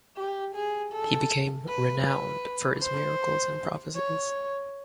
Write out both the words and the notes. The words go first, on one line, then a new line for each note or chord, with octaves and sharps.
He became renowned for his miracles and prophecies.
G4
G#4
A4
B4
B4
C5
C#5